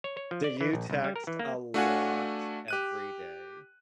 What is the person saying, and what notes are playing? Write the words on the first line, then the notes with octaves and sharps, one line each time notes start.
Do you text a lot every day?
C#5
C#5
F3
D5
E3
A#1
C2
G3
A#4
E3
A#3
A3 D4 F#4 F5 F#5 G#5
G4 F#6 D#7